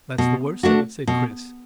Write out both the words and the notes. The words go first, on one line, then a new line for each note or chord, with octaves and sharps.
"That's the worst of it," said Chris.
B2
A3 D4 F#4
B2